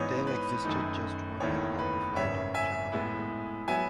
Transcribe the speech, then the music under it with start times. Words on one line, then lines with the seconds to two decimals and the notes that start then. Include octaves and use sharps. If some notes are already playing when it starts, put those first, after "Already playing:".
There existed just one helicopter flight in Visakhapatnam.
Already playing: G#2 E3 B3 D#4 C#5
0.27 B4
0.65 F#2 D#3 A3 D#4
1.40 F#1 E2 D#3 A3 E4 C#5
1.79 B4
2.16 G#1 F#2 C#3 C#5 E5
2.54 E5 G#5
2.92 A2 G#3 B3 E4
3.68 F#3 B3 E5 G#5